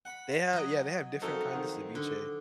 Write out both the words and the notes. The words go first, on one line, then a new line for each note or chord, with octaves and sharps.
They have yeah, they have different kind of ceviche.
F#5 B5
F#3 D#5
F2 D#4 F#4 A4 A#4
D#3 C5 F#5
D3